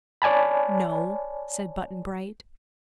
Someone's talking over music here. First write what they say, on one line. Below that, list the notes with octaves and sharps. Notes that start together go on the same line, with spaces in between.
"No," said Button-Bright.
C#5 D5 G#5 A5 B5